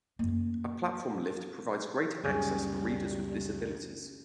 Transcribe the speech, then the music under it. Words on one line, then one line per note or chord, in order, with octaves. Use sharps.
A platform lift provides greater access for readers with disabilities.
F#2 A#3
C#2 F#2 G3 C#4 G#4